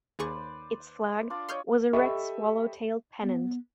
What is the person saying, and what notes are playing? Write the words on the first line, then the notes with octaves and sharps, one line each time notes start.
Its flag was a red swallow-tailed pennant.
D#2 G#4 B4 C5 D5 C#6
D4 F4 D5
C#5 D#5 C6 F6 G6
G4 A4 D#5 E5 B5 C#6
B3